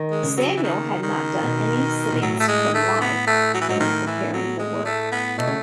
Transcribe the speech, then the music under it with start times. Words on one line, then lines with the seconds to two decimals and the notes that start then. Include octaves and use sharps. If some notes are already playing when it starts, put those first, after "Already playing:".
Samuel had not done any sittings from life when preparing the work.
Already playing: D#3
0.11 G#3
0.23 C#3
0.37 F#3
0.57 E3
0.63 D#3
1.02 D#3
1.43 B2
2.12 B2
2.22 A2 F#3
2.40 A3
2.48 G#3
2.74 A3
3.01 B3
3.27 A3
3.54 F#3
3.61 E3
3.68 G#2 F#3
3.79 A2 D#3
4.07 E3
4.33 F#3
4.59 G#3
4.85 A3
5.12 B3
5.38 B2 A3
5.47 C#3